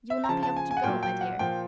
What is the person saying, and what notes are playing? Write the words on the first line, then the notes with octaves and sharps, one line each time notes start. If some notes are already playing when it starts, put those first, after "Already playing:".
"You will not be able to go, my dear."
E5
A#5
C#3 F3 A5
A5
G#5
G#5
F#5
A#2 F#3 G5
G5
F#5
A#2 F3 G5